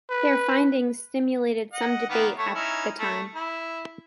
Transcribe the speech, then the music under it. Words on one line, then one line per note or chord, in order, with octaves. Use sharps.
Their finding stimulated some debate at the time.
B4
D#5 F#5
D#3 A#3 B3
A3 C#5
C#4 D#4 E4
A3
E4